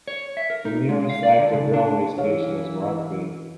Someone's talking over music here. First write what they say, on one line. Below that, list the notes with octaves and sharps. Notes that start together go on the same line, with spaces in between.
The nearest active railway station is Rugby.
C#5
E5
A#4
D#4
G#3
F5
D5
D3
C#3
D4
E3 E4 C#5 F5